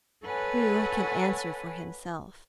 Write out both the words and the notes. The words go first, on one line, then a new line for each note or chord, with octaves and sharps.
Who can answer for himself?
A4 B4 C#5 F#5 G#5